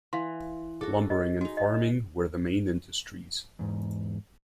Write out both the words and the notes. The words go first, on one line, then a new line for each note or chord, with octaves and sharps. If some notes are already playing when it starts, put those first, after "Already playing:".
Lumbering and farming were the main industries.
E3 F5 C6
F#4 G#4 A4
D#5
D#4 F#4 G#4
D#5
E2 G#2